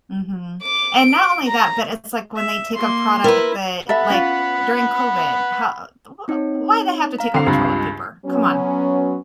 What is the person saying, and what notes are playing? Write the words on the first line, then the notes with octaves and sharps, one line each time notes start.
Mhm, and not only that, but it's like when they take a product that, like, during COVID, h uh, t wh why'd they have to take all the toilet paper? Come on,
D6
D7
A#5
E5
A#3 C6
E4 A#4 B4
A4 E5 F#5 B5
C#4 E4 F4
C4 D#4 C#5
F5 A#5
D3 C4 C7
C#2 G2 G4
F#3 B3 C#4